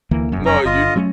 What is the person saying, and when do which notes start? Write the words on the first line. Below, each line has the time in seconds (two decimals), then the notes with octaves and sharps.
No, you kno
0.11 D2 E3 A#3
0.32 F1 F#2
0.46 C#4 A#5
0.66 G1 F4 D#5
0.96 F#3 A3 C#4